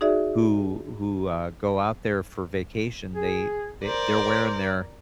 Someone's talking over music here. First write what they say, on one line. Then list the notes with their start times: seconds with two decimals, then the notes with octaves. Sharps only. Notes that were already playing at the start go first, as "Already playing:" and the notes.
who who, uh, go out there for vacation they th they're wearing their,
0.01 D#4 F#4 G#4 D5 E5
3.15 G#4
3.84 A#4 C5 D5